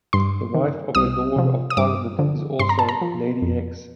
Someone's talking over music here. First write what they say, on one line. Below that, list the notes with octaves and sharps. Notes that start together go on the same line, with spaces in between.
The wife of a Lord of Parliament is also "Lady X".
G2 C6
D#3
C2 D#6
C3 F3
D#6
G2 D6
D3 F3
G2 C6
A#5
A5
A#5
F3
F2